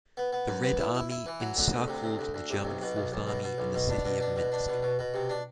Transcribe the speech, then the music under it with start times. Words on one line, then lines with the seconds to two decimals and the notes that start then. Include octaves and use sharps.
The Red Army encircled the German Fourth Army in the city of Minsk.
0.17 B3
0.33 B3
0.48 F#2
0.64 B3
0.79 E4
0.95 E4
1.10 E4
1.26 E3
1.41 F#3
1.57 D2
1.73 D2
1.88 C3
2.04 D2
2.19 D2
2.34 D2
2.50 C3
2.65 B1
2.82 B2
2.96 B1
3.12 B1
3.27 B2
3.43 B2
3.58 B1
3.74 B2
3.89 D4
4.05 B2
4.21 D4
4.36 B2
4.52 D4
4.68 B2
4.83 B2
4.99 B2
5.14 C3
5.29 D4